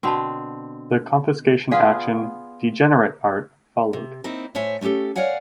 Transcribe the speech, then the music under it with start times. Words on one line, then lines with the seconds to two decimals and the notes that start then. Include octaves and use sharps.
The confiscation action "Degenerate Art" followed.
0.03 B2 D3 C4 A5 B5 C#6
1.71 B3 F4 G#4 D5 F5 F#5
3.93 C3
4.24 A#3 C4 D#4 E4
4.55 A2 C5 C#5 E5 G#5
4.81 A3 C#4 F#4 G4 A4
5.16 A#4 C#5 D5 F5 F#5 G#5